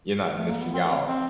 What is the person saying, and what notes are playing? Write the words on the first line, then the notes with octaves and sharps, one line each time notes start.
you're not missing out.
A3
A#3
B3
C4
C4
C4